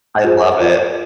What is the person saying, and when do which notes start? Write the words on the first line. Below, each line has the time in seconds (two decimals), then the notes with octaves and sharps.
I love it.
0.24 F4 G#4 C5
0.60 F4 A#4 D5